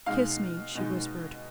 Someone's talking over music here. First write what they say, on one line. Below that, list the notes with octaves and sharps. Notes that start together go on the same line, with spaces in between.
"Kiss me," she whispered.
B2 G#3 D#4 F5
B2 G#3 D#4